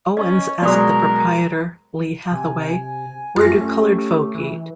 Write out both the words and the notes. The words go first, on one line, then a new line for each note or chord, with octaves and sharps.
Owens asked the proprietor, Lee Hathaway, where do colored folk eat?
C#4 D#5
B2 F#3 G#3 A#4 D5 C6 D#6
C3 G#5
F#2 A3 F4 G4 A#6
C#4
E3